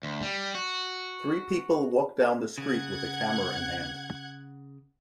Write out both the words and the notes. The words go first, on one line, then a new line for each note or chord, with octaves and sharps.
Three people walk down the street with a camera in hand.
D2
G3
F#4
C#3 F#5 F#6 G#6